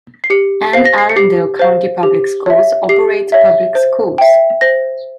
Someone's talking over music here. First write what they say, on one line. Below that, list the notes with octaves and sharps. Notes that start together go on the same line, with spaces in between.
Anne Arundel County Public Schools operates public schools.
C7
G4 C#7
C5 F5 C7
A#6
C7
C#7
G4 C7
C5 F5
G4
C#5 E5
G4 C7
C#5 E5
C5
E5 G5
C5 A#6